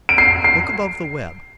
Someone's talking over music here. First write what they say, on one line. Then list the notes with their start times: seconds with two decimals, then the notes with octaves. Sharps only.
Look above the web.
0.09 D7
0.18 C7
0.44 C7